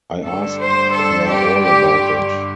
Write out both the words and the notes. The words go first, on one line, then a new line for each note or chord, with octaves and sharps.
I asked her all about it.
G2 D3 G3 A4
C5
A4
G4
G4